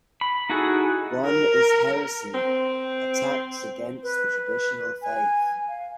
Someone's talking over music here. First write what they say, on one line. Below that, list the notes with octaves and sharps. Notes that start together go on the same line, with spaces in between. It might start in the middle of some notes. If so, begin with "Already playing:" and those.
One is heresy, attacks against the traditional Faith.
B5
D#4 E4 F#4 G#4 A4
A#4
C4
B4
B4
G#5
F5